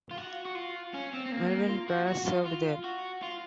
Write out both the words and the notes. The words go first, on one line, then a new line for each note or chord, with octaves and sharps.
Melvyn Perez served there.
F4
F#4
F#4
F4
C#4
C4
C4
A#3
A#3
F4
F#4
F#4
F4
F4
F#4
F4